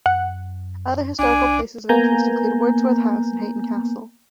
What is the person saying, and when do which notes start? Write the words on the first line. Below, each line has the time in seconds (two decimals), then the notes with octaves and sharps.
Other historical places of interest include Wordsworth House and Hayton Castle.
0.06 F#2 F#5
1.19 C2 D4 G#5
1.89 A#3 B3 G#5 A#5 G6